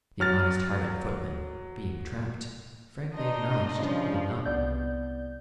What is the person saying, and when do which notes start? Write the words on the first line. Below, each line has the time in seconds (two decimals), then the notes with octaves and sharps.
The honest-hearted footman, being trapped, frankly acknowledged he had not.
0.20 F#3 F6 A6
3.13 D4 D#4 D#5 C6
3.79 G2 C#3 F3
4.46 C2 B3 D5 G6